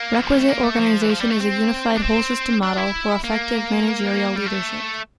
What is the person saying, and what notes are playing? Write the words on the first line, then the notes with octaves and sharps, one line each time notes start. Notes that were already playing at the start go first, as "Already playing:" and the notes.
Requisite organization is a unified whole system model for effective managerial leadership.
Already playing: A#3
E3
F3
G3
A3
A#3
A3
F3
E3
F3
G3
A3
C4
D4
C4
D4
E4
A#3
G3
A3